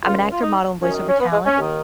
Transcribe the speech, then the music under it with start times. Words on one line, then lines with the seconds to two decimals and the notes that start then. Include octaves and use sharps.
I'm an actor, model, and voice-over talent,
0.03 C#2 C#3 F4
0.32 F4
0.42 D#4
0.81 F#2 D#3 C#4
1.08 C#4
1.20 B3
1.32 G#3
1.45 C#4
1.57 D#2 D#3